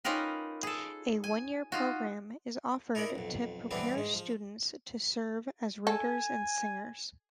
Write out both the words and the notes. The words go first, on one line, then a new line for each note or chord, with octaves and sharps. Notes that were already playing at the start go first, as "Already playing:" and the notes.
A one-year program is offered to prepare students to serve as readers and singers.
C#4 D#4 F4 G4 A#4 B4
G#4 A4
G#5
D#4 F4 F#4
D#4 E4 A#4 D5 B5
B1 F2
E3 G3 B3 C4 D4
G#2 G#3
F3
A4 G#5